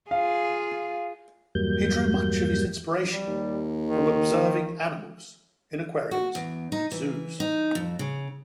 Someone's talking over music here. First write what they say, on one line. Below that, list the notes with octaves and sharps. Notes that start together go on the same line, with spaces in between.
He drew much of his inspiration from observing animals in aquariums and zoos.
F4 G#4 F5
E2 G2 F#3 G3 A#3 G6
G3
D#2
D#3
F#4
E2
D#4
E3
D#4
F2
C#3